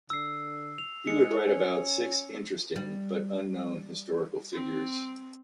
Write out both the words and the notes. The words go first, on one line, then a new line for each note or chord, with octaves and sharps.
He would write about six interesting but unknown historical figures.
D3 E6 C7
F7
G#3 C#7
C#4
G3
C4